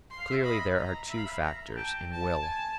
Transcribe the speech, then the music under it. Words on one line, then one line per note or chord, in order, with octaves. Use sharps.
Clearly there are two factors in will.
C6
F5
E5
D#5 B5
A#5
E5 B5
F5
E5
A#5
G5 A5
A5
G#5